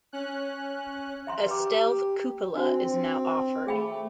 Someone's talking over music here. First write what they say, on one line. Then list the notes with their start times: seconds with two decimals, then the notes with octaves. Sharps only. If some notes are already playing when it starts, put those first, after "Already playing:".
A stealth cupola is now offered.
0.12 C#4 F#6
1.27 E5 A#5 C6
1.46 G4 B4 A#5 D6
2.55 C4 D4 F#4 C5
3.67 A3 G#4 G5 B5